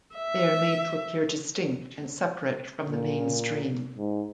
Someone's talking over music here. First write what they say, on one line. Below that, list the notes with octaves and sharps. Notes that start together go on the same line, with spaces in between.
They are made to appear distinct and separate from the mainstream.
E5
A#2
G#2